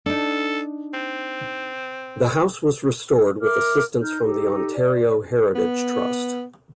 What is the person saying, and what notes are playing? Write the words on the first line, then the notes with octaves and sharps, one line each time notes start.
The house was restored with assistance from the Ontario Heritage Trust.
D4 D#4 A4
C4
A#4 E5 D6 F6
D#4 F6 G6
D#4 G4 A4
D5
B3